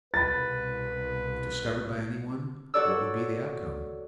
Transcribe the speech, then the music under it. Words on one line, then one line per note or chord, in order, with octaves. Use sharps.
If discovered by any one, what would be the outcome?
C2 B2 B4 B5 A6
F#4 A4 C#5 D5 E6